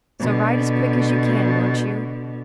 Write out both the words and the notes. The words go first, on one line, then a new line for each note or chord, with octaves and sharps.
So write as quick as you can, won't you?
B2 D3